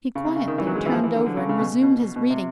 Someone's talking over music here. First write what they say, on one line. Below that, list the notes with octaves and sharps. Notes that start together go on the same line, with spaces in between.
He quietly turned over, and resumed his reading.
C#3
C3
C#3
D#3
E3
F#3
G#3
E3
F3
E3
D3
D3
C#3
C#3
B2
B2
B2
C3